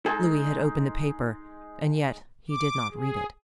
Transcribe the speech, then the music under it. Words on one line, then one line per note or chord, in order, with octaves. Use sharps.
Louis had opened the paper, and yet he did not read it.
G#3 D#4 A4 G#5
D6
G#4